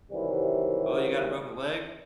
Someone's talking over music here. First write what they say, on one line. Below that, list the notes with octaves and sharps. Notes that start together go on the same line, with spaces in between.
"Oh, you got a broken leg?"
C3 D#3 E3 F#3 G3